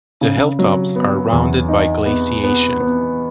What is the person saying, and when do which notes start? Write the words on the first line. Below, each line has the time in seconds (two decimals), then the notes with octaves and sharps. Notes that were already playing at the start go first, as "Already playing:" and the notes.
The hilltops are rounded by glaciation.
0.21 C#3
0.59 F#3
0.96 B3
1.33 E2
1.69 D#4
2.06 B3
2.44 B3
2.80 B3